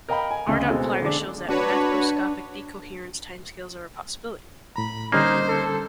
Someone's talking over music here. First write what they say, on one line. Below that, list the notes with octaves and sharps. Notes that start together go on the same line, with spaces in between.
R. Plaga shows that macroscopic decoherence timescales are a possibility.
A#4 D#5 F5 G5 A#5 B5
G#5
D2 C#3 D#5
B2 G#3 C4 A4
D3 G#3 D4 D6
D4 F#4 B4 C#5
A2 A#5 B5
D3 G3 A#3 C#4 D#4 C5
A4